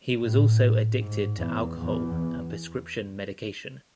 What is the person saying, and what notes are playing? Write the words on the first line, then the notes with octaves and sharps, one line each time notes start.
He was also addicted to alcohol and prescription medication.
A2
G#2
E2
E2